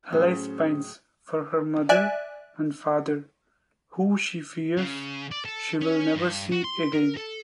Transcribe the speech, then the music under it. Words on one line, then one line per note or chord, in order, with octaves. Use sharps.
Alice pines for her Mother and Father, who she fears she'll never see again.
A2 F#3 C#4 G#4 C5
D5 E5 G#5 F#6
C#3
D5
A4
C#4
G2
F#4
C6
A#4
A4